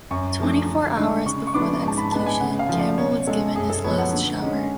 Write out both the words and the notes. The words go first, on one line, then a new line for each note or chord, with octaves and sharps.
Twenty-four hours before the execution, Campbell was given his last shower.
F#2 C#6
F3 A3 D4
D3
G#3 D4
C#3 C#6
C#6
F3 B3 D4 D6
G#2 A5
B5
G#3 B3 D4 A5
G#5
C#3 F#5
F5
F3 A3
D5
B2 C#5
G#3 C#4 A4
F#2 G#4
A4
F3 B3 C#5
F#5
D3
G#3 C#4